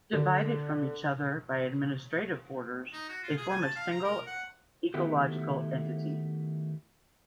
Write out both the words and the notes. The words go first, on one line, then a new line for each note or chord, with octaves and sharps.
Divided from each other by administrative borders, they form a single ecological entity.
D3
D#4
F#4
F4
G#4
G#5
A5
F5
A#5
A#4
F#5
D#3 A3 B3 E4 F#4 G4